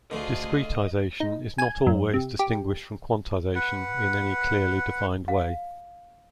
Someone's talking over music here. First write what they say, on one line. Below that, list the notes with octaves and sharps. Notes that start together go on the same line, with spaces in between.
Discretization is not always distinguished from quantization in any clearly defined way.
D2 D3 A3 F4 G#4 D#5
D#4
G#5
F#2
C3
G4
B4 F#5
F5